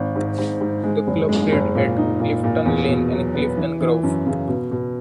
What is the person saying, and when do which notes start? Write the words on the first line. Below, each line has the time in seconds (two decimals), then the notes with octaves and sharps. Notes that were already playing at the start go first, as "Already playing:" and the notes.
The club played at Clifton Lane and Clifton Grove.
Already playing: G#1
0.15 G#2
0.38 G#2
0.61 G#2
0.84 G#3
1.07 F#1
1.29 G#3
1.52 F#1
1.75 A#2
1.98 D#4
2.20 A#2
2.44 A#2
2.65 E2
2.89 B2
3.12 F#3
3.35 B3
3.58 E3
3.81 E3
4.03 F#2
4.26 C#3
4.48 B2
4.71 B2